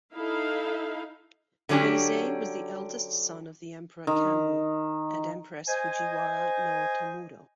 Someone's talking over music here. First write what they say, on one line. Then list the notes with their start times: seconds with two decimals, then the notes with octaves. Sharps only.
Heizei was the eldest son of the Emperor Kanmu and empress Fujiwara no Otomuro.
0.15 D#4 E4 A4 F5
1.69 D3 F#3 C#4 D4 G4
4.07 D#3
5.68 C5 D#5 G#5